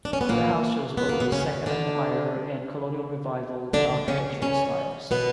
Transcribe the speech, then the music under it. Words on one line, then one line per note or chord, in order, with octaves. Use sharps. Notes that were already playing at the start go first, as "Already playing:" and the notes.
The house shows both Second Empire and Colonial Revival architectural styles.
D4
C#4
B3
A#2 A#3
B3
A#3
B2 B3
C#3 C#4
D3 D4
D3 D4
C#3 C#4
C#3 C#4
B2 B3